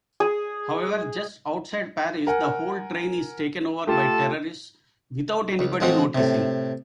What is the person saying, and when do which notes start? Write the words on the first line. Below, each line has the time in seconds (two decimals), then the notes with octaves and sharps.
However, just outside Paris the whole train is taken over by terrorists-without anybody noticing.
0.20 G#4
2.27 A#4 F#5 G#5
3.87 A3 F4 G4 A4 A5
5.59 C#2
5.80 A1 F3 G#3 C4 F#4
6.15 A2 C3